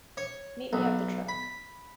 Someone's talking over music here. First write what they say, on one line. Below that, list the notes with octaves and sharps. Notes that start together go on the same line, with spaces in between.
Meet me at the truck.
C#5
B1
B5